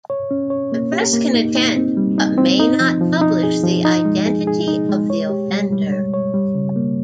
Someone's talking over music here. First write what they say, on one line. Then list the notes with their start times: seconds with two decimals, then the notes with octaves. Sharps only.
The press can attend but may not publish the identity of the offender.
0.10 C#5
0.31 C#4
0.50 C#5
0.72 A#3
0.93 G4
1.13 A#3
1.34 D#4
1.55 D#4
1.76 C4
1.97 G3
2.18 D#4
2.38 C4
2.59 D#4
2.80 F3
3.01 F3
3.21 D#4
3.43 G#4
3.64 F3
3.85 D#4
4.05 G#3
4.26 G#4
4.47 G#4
4.68 D#4
4.89 G#3
5.10 C#5
5.30 G4
5.50 G3
5.72 G3
5.92 C#5
6.14 C#5
6.34 G3
6.55 C#3
6.76 A#3